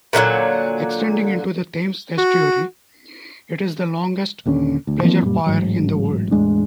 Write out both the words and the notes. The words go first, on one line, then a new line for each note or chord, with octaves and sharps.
Extending into the Thames Estuary, it is the longest pleasure pier in the world.
A#2 D3 E3 F#3
F#4
D#1 D#2 D3 C#4
D2
E3 F3 A#3 C4
F#2 A#2 G3
A1 G#2 F#3
E2 A2 G#3 D4